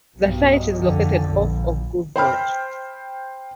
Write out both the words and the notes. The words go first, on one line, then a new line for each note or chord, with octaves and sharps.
The site is located off of Grove Road.
B1 G2
F2 D3
A#1
C5 G5 B5 F6